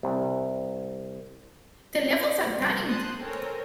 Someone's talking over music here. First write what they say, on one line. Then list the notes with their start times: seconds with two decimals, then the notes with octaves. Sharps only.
The levels are timed.
0.03 C2
2.55 C2 F3
2.88 C5 A5 C6 D#6 F#6 G6
3.19 A4 A#4 C5 C#5 G5 G#5